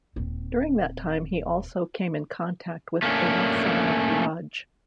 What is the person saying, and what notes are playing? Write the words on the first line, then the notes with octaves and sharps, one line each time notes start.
During that time he also came in contact with a Masonic lodge.
D#1 C4
A3 A#3 C#4 D4